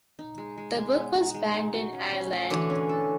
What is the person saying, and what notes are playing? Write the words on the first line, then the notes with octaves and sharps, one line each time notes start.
The book was banned in Ireland.
D#4
G#3
G#3
G#3
B3
D#4
G#3
D#4
F#4
C#4
C#4
A3
D3 E3 F#4
C#4
A4